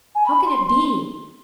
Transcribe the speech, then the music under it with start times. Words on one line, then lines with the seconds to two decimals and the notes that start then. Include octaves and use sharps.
How can it be?
0.15 G#5
0.26 B5
0.46 C6
0.67 C6